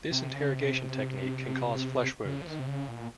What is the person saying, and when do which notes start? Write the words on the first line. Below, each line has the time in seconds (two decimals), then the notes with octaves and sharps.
This interrogation technique can cause flesh wounds.
0.12 C3
0.34 C#3
0.55 C3
2.25 C#3
2.42 F3
2.47 D#3
2.59 C3
2.68 C#3
2.88 A#2